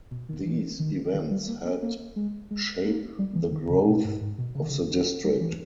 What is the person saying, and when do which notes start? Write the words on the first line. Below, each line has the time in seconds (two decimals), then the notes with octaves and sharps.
These events helped shape the growth of the District.
0.11 B2
0.29 D#3
0.45 E3
0.80 D#3
1.14 D#3
1.31 G3
1.48 A#3
1.65 B3
1.82 A#3
2.16 G#3
2.51 G#3
2.84 A#3
3.19 G3
3.35 E3
3.52 D#3
3.70 C#3
3.87 B2
4.04 G#2
4.21 G#2
4.38 B2
4.55 C#3
4.63 D#3
4.70 C#3
4.90 D#3
5.24 G3
5.41 E3